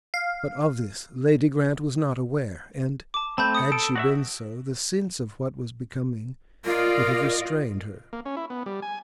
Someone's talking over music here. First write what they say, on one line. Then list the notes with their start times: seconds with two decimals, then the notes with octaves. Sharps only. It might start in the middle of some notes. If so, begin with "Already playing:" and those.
But of this Lady Grant was not aware, and, had she been so, the sense of what was becoming would have restrained her.
0.14 F5
3.14 A5 D6
3.38 A3 C4 A5 B5 G6
3.55 D#6 C#7
3.72 A4 D7
3.96 F#4 D5 E5
6.65 F4 A#4 D5 D#5
8.13 A#3
8.25 C#4
8.37 E4
8.50 B3
8.66 G3
8.82 G#5